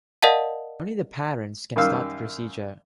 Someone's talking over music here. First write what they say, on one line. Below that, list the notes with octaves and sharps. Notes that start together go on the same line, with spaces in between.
Only the parents can start the procedure.
A#4 D5 D#5 F5 F#5 A5
F#2 D#3 G3 F5 E6